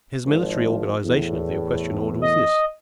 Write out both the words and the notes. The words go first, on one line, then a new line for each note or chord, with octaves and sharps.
His military organization of the equestrian order was this.
G#1 F3
E2 A2
D#5